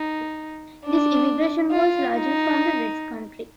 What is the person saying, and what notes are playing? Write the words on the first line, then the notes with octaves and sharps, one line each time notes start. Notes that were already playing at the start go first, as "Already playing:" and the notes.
This immigration was largely from the West Country.
Already playing: D#4
D4
F4
D#4